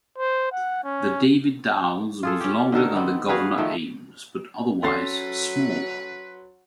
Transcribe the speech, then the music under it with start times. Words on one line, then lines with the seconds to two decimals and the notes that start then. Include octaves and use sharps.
The "David Dows" was longer than the "Governor Ames" but otherwise smaller.
0.18 C5
0.52 F#5
0.84 C#4
2.23 F4 G#4 A4
2.40 C#4 G4
2.72 D3 D#3 A4 A#4
2.96 B3 C4
3.29 F#4 G#4 B4 F5
3.58 D#3 F3 A3
4.83 F#3 C#4 A4 B4 C6 A6 C7